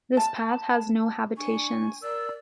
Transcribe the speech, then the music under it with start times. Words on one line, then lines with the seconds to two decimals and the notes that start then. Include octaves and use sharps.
This path has no habitations.
0.17 A5
1.37 D4 G#5 C#6
2.02 A#4 D5 E6